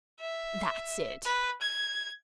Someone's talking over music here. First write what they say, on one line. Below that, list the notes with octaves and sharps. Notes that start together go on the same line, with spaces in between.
"That's it."
E5
B4
G#6